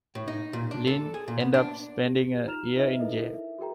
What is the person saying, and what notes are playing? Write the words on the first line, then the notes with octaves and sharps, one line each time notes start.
Lind ended up spending a year in jail.
A2
D#4
A#2
D4
A4
G#4
A#2
B3
D4
G4
D#4 F4 A#5 F6 E7 F7
D#4 F4 B4 C5 D#5 E5
D#4 E4 A4 A#4 D#5
E5
F#4 G#4 A#4 G5 A#5